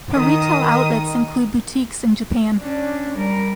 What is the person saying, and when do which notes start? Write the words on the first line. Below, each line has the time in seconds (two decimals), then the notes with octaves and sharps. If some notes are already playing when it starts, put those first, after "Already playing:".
Her retail outlets include boutiques in Japan.
0.12 D#3 D#6
2.59 C#4 D4
3.15 G3 A#4